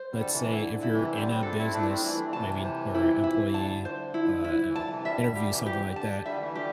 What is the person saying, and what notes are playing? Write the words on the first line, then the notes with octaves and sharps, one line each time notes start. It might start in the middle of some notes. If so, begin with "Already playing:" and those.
let's say, if you're in a business, maybe in or employee, ah, uh, interview, something like that,
Already playing: C5
D3 G3
A4
C3 E3
D3 E4
D3
E4
C3 E3
D3 G3 C5
G3 C4
A3 D4 A4
C4 E4
A3 D4 E4
G3 C4
E3 A3 E4
A3 D4
C3 E3 A5
C5
E4
E4
E3
D3 A5
C5
E4
E4
E3
D3 A5
C3 E3
D3 G3 E5
D3 G3
D3 G3 G4
C3 E3
C3 E3 G4
D3
D3 A5
D3 G3 E5
E3 A3
D3 G3 G4